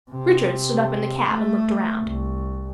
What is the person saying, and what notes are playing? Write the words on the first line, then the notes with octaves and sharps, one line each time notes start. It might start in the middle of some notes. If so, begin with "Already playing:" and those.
Richard stood up in the cab and looked around.
C3
A3
C2